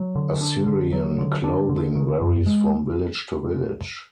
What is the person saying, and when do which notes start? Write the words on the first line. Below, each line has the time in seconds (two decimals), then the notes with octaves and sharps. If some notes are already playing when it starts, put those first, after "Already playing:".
Assyrian clothing varies from village to village.
Already playing: F#3
0.15 D3
0.41 D4
0.67 D3
0.93 F#3
1.18 D3
1.44 D4
1.69 D3
1.95 D#3
2.21 F#2
2.46 G#3